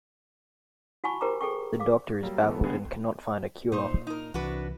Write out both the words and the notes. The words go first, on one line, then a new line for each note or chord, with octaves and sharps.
The Doctor is baffled and cannot find a cure.
F#4 F#5 G#5 A5 B5 C#6
G4 A#4 C5 G5 A#5 D6
G#4 A4 G5 C#6
F5 D6
F#3 G3 A#3
E3 A3 B3 A4
D3 G3 B3 G#4
A#2 D#4 C5
D#4 A#4
C2 E3 D4 F#4 B4